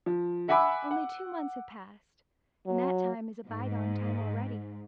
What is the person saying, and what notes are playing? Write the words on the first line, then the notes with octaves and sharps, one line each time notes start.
Only two months have passed, and that time is a by-gone time already!
F3
E5 F#5 G#5 B5 D6 E6
F#5
F#3
G#2